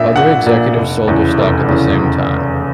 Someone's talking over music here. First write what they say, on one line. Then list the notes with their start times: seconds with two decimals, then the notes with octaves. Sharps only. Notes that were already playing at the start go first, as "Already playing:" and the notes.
Other executives sold their stock at the same time.
Already playing: A#1 A#2 E5
0.15 A#1 F#5
0.47 A#2
0.77 F1
1.08 E2 C#3 E3
1.38 F1
1.69 E2 C#3 E3